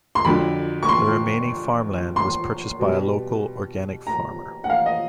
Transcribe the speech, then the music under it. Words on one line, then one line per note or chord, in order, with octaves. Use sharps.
The remaining farmland was purchased by a local organic farmer.
C6
F2 D3 F#3 B5
C#6
C6
C6
B2 G3
A#5
F#5
F5
D#5